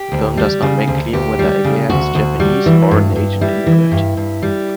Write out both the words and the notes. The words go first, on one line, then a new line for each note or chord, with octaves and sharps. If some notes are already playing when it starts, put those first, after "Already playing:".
The film does not make clear whether Ageha is Japanese or an Asian immigrant.
Already playing: G4
D2
G3
C#3
D2
D2 G4
G3
C#3
D2 F#4
D2
G3
E3
G2
G2
G3 E4
E3
G2
G2
G3